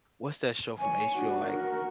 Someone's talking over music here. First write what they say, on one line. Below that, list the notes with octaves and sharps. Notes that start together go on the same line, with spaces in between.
what's that show from HBO, like
C#5 G#5
D4 F#4
F#4 A#4